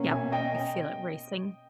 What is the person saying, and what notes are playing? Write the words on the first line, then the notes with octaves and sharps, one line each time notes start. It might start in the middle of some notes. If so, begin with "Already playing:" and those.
Yep. You feel it racing?
Already playing: B2 A#3 C#4
E5 G#5
D#5 G5